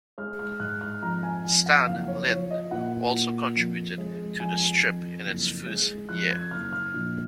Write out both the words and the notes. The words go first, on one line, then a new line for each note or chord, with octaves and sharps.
Stan Lynde also contributed to the strip in its first year.
G#3 F6
F6
G#2 F#6
F6
F2 A#5
G#5
F2 G#5
F#5
F#1 F5
C#5
F3 C#5
D#5
A#2 F#5
A#2
F2
G#3
F2 G#5
F2
F#1
G#3
F2 F#6
G#6
F#1 F6
F6
A#1